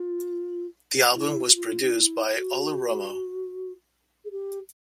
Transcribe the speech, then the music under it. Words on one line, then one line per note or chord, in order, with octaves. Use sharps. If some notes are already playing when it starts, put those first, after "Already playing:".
The album was produced by Olle Romo.
Already playing: F4
E4
F#4
F4
D#4
E4
F#4
G#4
G4